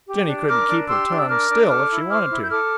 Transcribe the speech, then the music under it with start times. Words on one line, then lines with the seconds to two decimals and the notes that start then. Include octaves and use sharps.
Jenny couldn't keep her tongue still if she wanted to.
0.08 G4
0.27 D4
0.48 A#4 D6 F6
0.68 D4
0.88 G4 C6 E6
1.09 D4
1.18 E6
1.29 A#4 D6 F6
1.50 D4
1.69 A4 D6 F6
1.91 E4
2.10 C5 D6 F6
2.30 E4
2.43 G6
2.50 A4 D6 F6